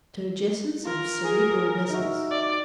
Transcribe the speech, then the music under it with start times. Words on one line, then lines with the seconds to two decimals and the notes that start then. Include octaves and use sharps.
Turgescence of cerebral vessels.
0.85 F4 A#4
1.24 G#4
1.90 D#4 F#4 E5
2.31 D5